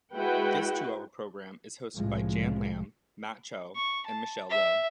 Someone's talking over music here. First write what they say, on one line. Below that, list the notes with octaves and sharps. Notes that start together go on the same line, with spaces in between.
This two-hour programme is hosted by Jan Lamb, Matt Chow and Michelle Lo.
G#3 E4 F#4 B4 F#5 G5
C2 A2 F3 G#3
C#6
A5
E5